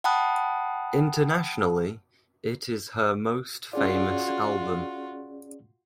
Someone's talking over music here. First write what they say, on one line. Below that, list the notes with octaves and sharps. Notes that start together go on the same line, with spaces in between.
Internationally, it is her most famous album.
F#5 G5 A5 B5 D#6 F#6
C#4 F4 F#4 G#4 D5